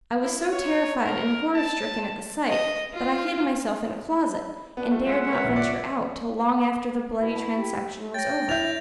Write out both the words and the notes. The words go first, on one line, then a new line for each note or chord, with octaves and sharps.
I was so terrified and horror-stricken at the sight, that I hid myself in a closet, and dared not venture out till long after the bloody transaction was over.
E4
C#5
A#4
A5
D#5
F4
B3 D4
G2 A3 F4
G#3 E5 F#5
A#4 B4 C#5
D1 A#1
D5
B2 E4
G4
C#5 G5 A6 A#6
E4 E5 G6 A6 F7